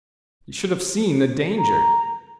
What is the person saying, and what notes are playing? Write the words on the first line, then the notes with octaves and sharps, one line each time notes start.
"You should have seen the danger."
A#5